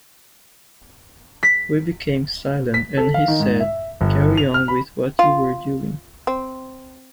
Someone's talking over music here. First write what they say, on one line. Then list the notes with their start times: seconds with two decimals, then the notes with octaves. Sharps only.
We became silent and he said: Carry on with what you were doing.
1.43 B6
2.74 B6
2.97 A4
3.14 F5
3.28 D#3
3.40 G#2
3.60 E5
4.01 G1
4.37 F7
4.54 F6
4.68 B5
5.19 F4
6.27 C4